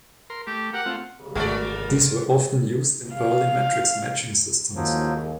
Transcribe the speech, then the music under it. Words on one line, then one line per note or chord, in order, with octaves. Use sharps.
These were often used in early matrix-matching systems.
A#4 C6
A3 G4
G4 A#4 F#5
A3 C4 F4
G#1 G#3 A3 F#4 G#4 A#4 D5
F5
D#2 F3 F#3